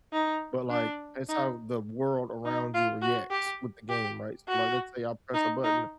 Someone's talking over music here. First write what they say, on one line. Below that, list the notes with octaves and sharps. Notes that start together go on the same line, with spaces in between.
but, like, that's how the world around you reacts with the game, right? So, like, let's say I press a button
D#4
D4
D#4
D#4
F4
F#4
G4
G4
F#4
D#4
D#4